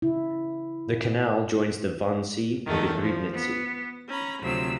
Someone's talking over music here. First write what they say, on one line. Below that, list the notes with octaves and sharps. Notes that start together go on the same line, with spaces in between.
The canal joins the Wannsee with the Griebnitzsee.
C#3 E4
E2 D#3 A3 F#4
F3
B3
C#4 A#5 B5
D2 C3 F3 F#3 E6